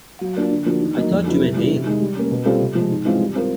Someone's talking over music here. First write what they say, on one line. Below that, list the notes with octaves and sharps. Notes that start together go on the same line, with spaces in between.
I thought you were Dale!
F#3
A#3 D4 F4
D3
F3 A#3 D4 F#4
D#3
F#3 A#3 D#4
F2
D3 F#3 B3 E4
C3
E3 G3
C3
D#3 G#3
G3
A#3 C#4
B2
G3 C4 F4 A4
C3
F3 G#3
G#2
E3 G#3 C4 F4
G3
C4 F4 A#4